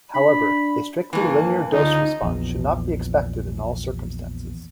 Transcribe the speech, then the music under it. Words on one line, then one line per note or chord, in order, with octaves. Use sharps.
However, a strictly linear dose response should not be expected in all circumstances.
D4 B5
G2 E3 A#3 E4 C#6
C#2 D3 D#4 F4
A#1 E2